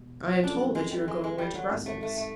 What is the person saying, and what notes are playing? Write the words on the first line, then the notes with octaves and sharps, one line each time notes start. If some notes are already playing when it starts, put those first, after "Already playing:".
"I am told that you are going away to Brussels."
Already playing: E1 B2 G3
F#2 C#3 F3 A3 C4 D4
G#3
G3
G#3
G#3
G3
F#3
G#1 G#2 D#3 G3 C4
A3
A3
A3